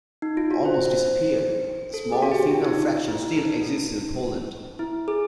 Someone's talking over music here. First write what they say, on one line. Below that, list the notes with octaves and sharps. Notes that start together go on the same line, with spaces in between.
Almost disappeared, a small female fraction still exists in Poland.
D#4
F4
F#4
C5
A4
G#4
F#4
G4
F4
D#4
E4
D#4
E4
G#4